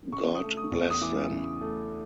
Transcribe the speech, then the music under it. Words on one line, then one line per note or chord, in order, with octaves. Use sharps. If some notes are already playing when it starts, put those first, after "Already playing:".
God bless them.
C#3 C#6
D#6
A3
D#6
E2
D#6
E3 D6
C#3
A3